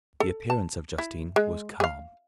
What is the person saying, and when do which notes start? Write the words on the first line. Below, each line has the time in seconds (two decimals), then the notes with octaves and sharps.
The appearance of Justine was calm.
0.20 A4
0.50 A5
0.98 E4
1.36 G#3
1.80 G#4 F5